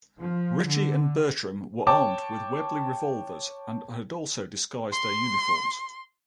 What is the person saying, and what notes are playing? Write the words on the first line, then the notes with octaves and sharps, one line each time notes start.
Ritchie and Bertram were armed with Webley revolvers and had also disguised their uniforms.
F3
D3
C#5 G5 A5 D6
C6